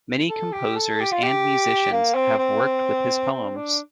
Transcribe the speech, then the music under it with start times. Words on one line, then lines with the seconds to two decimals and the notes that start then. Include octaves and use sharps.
Many composers and musicians have worked with his poems.
0.29 A4
0.52 G4
0.76 A4
1.00 G4
1.12 F4
1.22 G4
1.92 A#3
2.15 C4
2.38 C4
3.32 C4
3.56 D4